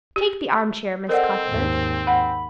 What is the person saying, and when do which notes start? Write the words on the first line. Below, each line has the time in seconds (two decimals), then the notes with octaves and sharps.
Take the armchair, Miss Cuthbert.
0.16 G4
1.09 C4 A4 A#4 C5 D5 D#5 F#5
1.46 D#2 G#2 C5
2.07 F#5 B5